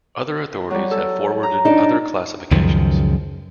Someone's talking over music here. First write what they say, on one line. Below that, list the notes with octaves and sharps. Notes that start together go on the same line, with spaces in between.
Other authorities have forwarded other classifications.
F#3 G3
A4
A#5
D4 D#4
C#2 F#2 D#3 F3